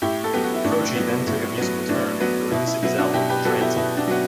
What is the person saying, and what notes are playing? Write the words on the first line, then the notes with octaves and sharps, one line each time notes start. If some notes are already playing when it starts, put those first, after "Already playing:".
Croce then took a musical turn with the release of his album "Transit".
A2 E4 G4
A4
F#3 B3 G4
F#4
E4
A2 D4
F#3 B3
A2
F#3 B3
A2 D4
F#3 B3
B2 E4
E4
F#3 B3 E4
D4 F#4
B2 E4 G4
G4 B4
F#3 B3 F#4 A4
E4 G4
B2 E4
D4 F#4
F#3 B3 F#4